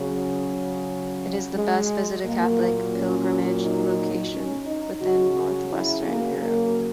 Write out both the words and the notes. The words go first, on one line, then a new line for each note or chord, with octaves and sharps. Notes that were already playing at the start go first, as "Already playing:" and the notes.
It is the best visited Catholic pilgrimage location within north-western Europe.
Already playing: C#3 F#3
G#3
A#2 F#3 A#3
C#4
D#4
C#4
D#4
C#3 F#3 F#4
E4
A#3
A#3